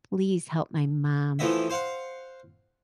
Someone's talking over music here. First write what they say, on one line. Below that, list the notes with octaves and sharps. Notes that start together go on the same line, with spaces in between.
"Please help my mom,
E3 F3 A3 B3 D#5 E5
C5 F5 F#5